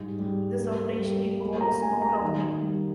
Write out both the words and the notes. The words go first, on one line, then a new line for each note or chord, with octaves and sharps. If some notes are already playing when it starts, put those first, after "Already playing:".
This operation involves no rounding.
Already playing: G#2 G3
G3
A#3
G3
A#3 B5
A#5
A#3 G#5
A#5
D#3
G3